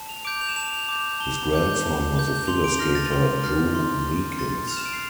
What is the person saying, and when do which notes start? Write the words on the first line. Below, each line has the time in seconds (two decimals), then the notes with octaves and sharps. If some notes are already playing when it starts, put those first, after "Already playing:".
His grandson was the figure skater Drew Meekins.
Already playing: A5
0.09 F7
0.25 D6 G6 D7
0.41 F7
0.48 E7
0.56 A5 F7
0.89 D6 G6
1.20 A5 G7
1.53 D6 G6
1.84 A5
2.16 D6 G6
2.47 C6 F7
2.64 D7
2.79 F6 A#6
2.95 A6
3.11 C6
3.44 F6
3.75 C6
4.07 F6
4.38 C6 A6
4.68 F6 F7
4.77 E7
4.85 D7
4.93 C7